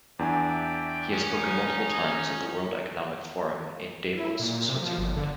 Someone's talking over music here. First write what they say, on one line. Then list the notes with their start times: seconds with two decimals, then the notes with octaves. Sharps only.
He has spoken multiple times at the World Economic Forum in Davos, Switzerland.
0.19 E2 D4 D5 E5 G5 G#5
1.13 C#4 D#4
4.17 E4
4.40 A#2
4.68 C3
4.82 F3
4.98 G1
5.16 D3